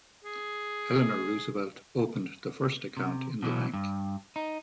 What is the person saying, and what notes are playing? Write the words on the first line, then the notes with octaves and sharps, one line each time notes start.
Eleanor Roosevelt opened the first account in the bank.
G#4
C3
B2 E3 F#3
G2
D#4